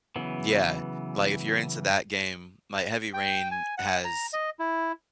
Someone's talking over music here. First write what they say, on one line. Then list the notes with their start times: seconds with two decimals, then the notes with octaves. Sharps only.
Yeah, like, if you're into that game like, Heavy Rain has
0.16 C#3 E3 F#3 B3
3.14 G5
3.51 G#5
3.78 F#5
4.05 A#5
4.33 D#5
4.59 E4